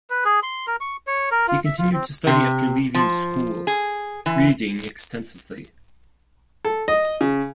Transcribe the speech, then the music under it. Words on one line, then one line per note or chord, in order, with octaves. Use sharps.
He continued to study after leaving school, reading extensively.
B4
G#4
C6
A#4
C#6
C#5
A#4
F4
E5
F4
C4
C3
F3
G#4
E3
A4
D#5
C#3